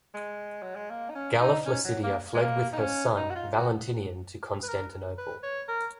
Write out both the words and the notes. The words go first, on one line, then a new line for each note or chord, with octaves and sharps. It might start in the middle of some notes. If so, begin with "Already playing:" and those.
Galla Placidia fled with her son Valentinian to Constantinople.
G#3
F#3
G#3
A#3
D#4
C#4
D#4
C#4
F#3
A#3
G#3
A#3
D#4
C#4
D#4
F#4
F4
F#4
B4
A#4
B4
C#5
A#4